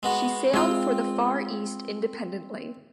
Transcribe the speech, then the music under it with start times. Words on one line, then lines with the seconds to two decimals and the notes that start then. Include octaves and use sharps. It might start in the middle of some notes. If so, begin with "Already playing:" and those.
She sailed for the Far East independently.
0.03 G#3 B3 F#4
0.54 G#3 C4 F4 G5